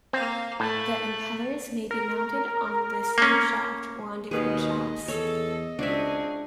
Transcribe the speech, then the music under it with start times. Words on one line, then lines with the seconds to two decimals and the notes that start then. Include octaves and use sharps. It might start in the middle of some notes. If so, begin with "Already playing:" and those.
The impellers may be mounted on the same shaft or on different shafts.
0.13 A#3 C4 F5
0.60 A2 A3 F#6
1.91 A#4
3.18 A#3 C#4
4.31 D#2 B2 D#3 G#4 B4 D#5
5.08 E2 A4 C#5
5.79 C#2 C4 D4 F#4 G#4 E5